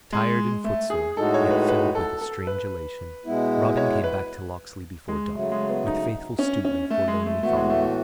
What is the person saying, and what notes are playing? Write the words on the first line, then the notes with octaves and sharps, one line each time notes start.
Tired and footsore, yet filled with a strange elation, Robin came back to Locksley before dawn, with faithful Stuteley forlornly following him.
G#3
A3
G#4
A2 G#3 D#4 F#4 A4
C#5
B4
B4
A4
A4
B4
B2 G#3 B3 E4
C#5
B4
G#3
C#3 F#3 A3
G#3
B3
D#4
C#4
C#4
A3
G#3
A3
A2 E3 A3 B3 F#4
G#3
A3
A3